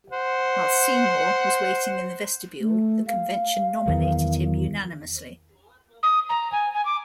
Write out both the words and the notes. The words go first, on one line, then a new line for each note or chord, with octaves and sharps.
While Seymour was waiting in the vestibule, the convention nominated him unanimously.
C5 F#5
A3
F5
E2 D#3 F#3
D#6
A#5
G#5
G#5
D6